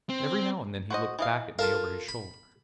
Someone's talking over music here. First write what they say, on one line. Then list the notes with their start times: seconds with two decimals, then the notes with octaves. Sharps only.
Every now and then he looked back at me over his shoulder.
0.09 C4
0.90 F#4 C5 D#5
1.19 E3 D#5 F5
1.59 F4 A4 A#4 F5
2.09 B5